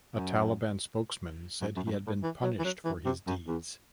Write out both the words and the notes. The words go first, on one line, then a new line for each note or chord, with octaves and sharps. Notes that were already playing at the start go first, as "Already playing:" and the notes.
A Taliban spokesman said he had been "punished for his deeds".
F#2
F#2
F#2
F#2
G2
A2
E3
F#3
E3
F#3
E3
C3
F#2
E2